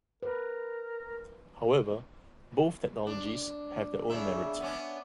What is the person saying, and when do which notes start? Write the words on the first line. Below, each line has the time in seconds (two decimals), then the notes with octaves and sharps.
However, both technologies have their own merit.
0.23 A#4 B4
3.07 D4
4.09 C#3 D4 E5
4.60 B3 C#4 D4